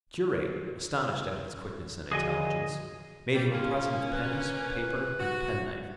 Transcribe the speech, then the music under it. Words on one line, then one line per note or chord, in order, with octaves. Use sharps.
The curate, astonished at his quickness and intelligence, made him a present of pens, paper, and a penknife.
D3 F3 F#4 G#4 D#5 G#5
G3
A#3 C#4 F4
B4
F#4